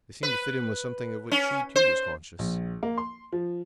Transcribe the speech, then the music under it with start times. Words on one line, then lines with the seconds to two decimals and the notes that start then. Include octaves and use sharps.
They seemed to fit in with something of which she too was conscious.
0.23 B4
1.31 C#4
1.76 C5
2.39 A#1
2.83 A#3
2.98 C6
3.32 F3